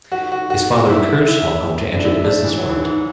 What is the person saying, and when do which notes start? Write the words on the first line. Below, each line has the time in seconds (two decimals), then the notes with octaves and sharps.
His father encouraged Holcomb to enter the business world.
0.12 F#4
0.32 F#4
0.50 F#4
0.70 F#4
0.90 E4
1.02 E4
1.15 E4
1.28 E4
1.97 D4
2.05 E4
2.24 D4
2.44 E3
2.57 F#3
2.69 E3
2.82 G#2